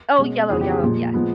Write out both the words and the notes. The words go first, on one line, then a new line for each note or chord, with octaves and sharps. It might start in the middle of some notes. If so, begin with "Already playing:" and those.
Oh, yellow, yellow, yes.
B2 G#3 C#4
F2 C#3 E3 G#3 B3 G#4
G4
G#4
A#2 F3 G#3
A#2 F3 G#3 B3